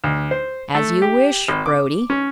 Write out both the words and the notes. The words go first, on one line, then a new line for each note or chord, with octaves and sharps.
"As you wish, Brodie."
D2
C5
A3
G4
G#1
D6
C#4